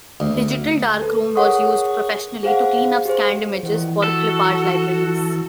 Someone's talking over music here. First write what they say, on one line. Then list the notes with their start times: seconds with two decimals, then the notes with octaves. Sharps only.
Digital Darkroom was used professionally to clean up scanned images for clip art libraries.
0.20 D2
1.01 A4 B4
1.36 G#4 A#4 C#5 F#5 C#6 D#6
2.43 G#4 C5 F5 F#5
3.05 G4 G#4 C5
3.63 A#2 D#3 E3 F#5
4.03 F#4 A4